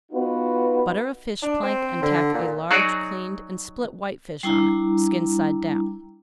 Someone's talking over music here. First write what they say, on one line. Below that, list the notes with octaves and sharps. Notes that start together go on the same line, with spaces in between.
Butter a fish-plank and tack a large cleaned and split whitefish on it, skin side down.
B3 D#4 F4 F#4 B4
D4
C4
D3
A#2
F#3 D#4 F#4 G#4 D5
G3 D4 E4 A#5